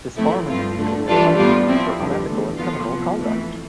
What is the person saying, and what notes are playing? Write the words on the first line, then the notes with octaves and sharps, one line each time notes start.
Disbarment is usually a punishment for unethical or criminal conduct.
A2 F3 A3 C4 E4
G2 F3 C4 F4
D3 A3 D4
E3 G3 D4 F4 A4
A2 G3 B3 F4
F3 C4 E4
E2 D3 G3
E2 D3 A3
F3 B3 F4
C3 F3 B3
F2 E3 A3